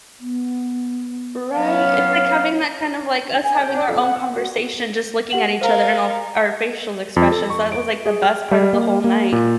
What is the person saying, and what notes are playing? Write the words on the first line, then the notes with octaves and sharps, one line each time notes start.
Right, it's, like, having that kind of like, us having our own conversation just looking at each other and all of our facial expressions, that was, like, the best part of the whole night
B3
F#3 B3 C#4 C#5 F5
G#5
G5
D4
F2
F#5
F#4
G4 F#5 F#7
A#4 C5 F5
F2
A4
C#6
D7
G#4
F6
G3
A#3
A#3
A#2